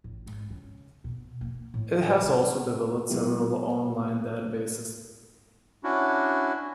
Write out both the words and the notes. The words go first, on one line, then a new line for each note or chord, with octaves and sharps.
It has also developed several on-line databases.
A1
G#2
C#3
B2
A#3
A2
C3
B2 F#3 G#3 B3 E4 G4
C#4 D4 E4 F#4